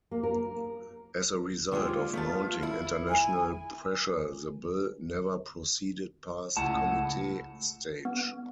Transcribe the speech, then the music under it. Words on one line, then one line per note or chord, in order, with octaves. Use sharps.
As a result of mounting international pressure the bill never proceeded past committee stage.
A#3
A#4
D#2 D3 G#3 F4
A3 B3 A5
E4
G#5
C#2 A2 A3 F#5 A5
B3